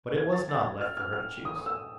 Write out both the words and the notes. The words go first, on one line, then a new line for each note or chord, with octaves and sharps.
But it was not left for her to choose.
G#6
A6
A6
F6
F6
F6
D#6
D#6
E6